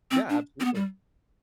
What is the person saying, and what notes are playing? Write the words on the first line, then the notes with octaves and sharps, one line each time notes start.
Yeah, absolutely.
C4
D4
C4
B3
G3